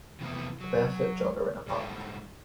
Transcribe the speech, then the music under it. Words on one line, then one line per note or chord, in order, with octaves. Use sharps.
A barefoot jogger in a park.
C3 E3 F3 G#3 A3 B3
F#3
G#2 G3 A4 G5